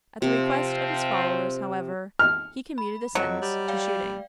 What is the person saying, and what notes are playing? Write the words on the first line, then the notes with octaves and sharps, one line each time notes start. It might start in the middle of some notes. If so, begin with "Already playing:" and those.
At the request of his followers, however, he commuted the sentence to shooting.
C3 F3 C4
F6
B5
F2 F#3 D#5
G3
D5 F5 G5